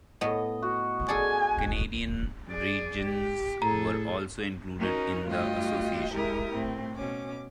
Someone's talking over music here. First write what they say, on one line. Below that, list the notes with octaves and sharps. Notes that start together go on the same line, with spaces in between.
Canadian regions were also included in the Association.
A2 B3 D#5
F#4
G#4 A4 D5 G#5
G#4 D5
G4
A2 G#4 A4 A#5
C#4 D#4 F#4 A#4
G2 A3 F4 F#4 D#5 G5
G#3 E4 G4 A#4 D#6
A2 C4
B2 C#4 D6